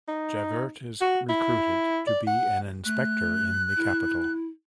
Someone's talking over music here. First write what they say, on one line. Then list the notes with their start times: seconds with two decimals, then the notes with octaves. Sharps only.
Javert is recruited to be an inspector in the capital.
0.08 D#4
1.01 F#4
1.29 E4
2.07 D5
2.27 F#5
2.85 A3 F#6
3.77 E4